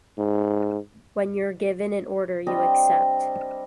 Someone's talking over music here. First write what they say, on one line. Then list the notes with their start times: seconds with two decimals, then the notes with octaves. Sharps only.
When you're given an order, you accept.
0.18 G#2
2.47 G3 C4 D4 D#5